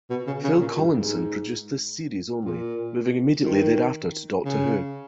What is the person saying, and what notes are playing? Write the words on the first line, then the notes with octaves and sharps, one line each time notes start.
Phil Collinson produced this series only, moving immediately thereafter to "Doctor Who".
B2
C#3
C#3
A#2
G2
G#2
A#2
D#3
C#3